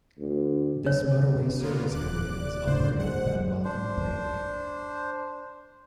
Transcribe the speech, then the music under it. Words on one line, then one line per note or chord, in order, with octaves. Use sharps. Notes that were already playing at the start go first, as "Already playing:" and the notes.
This motorway service area is operated by Welcome Break.
D2
C#5
A#3 B3 F4
D#1 D6 F#6
D5
C#2 A2 D3 C5
G#3 C5 F#5
D4 C5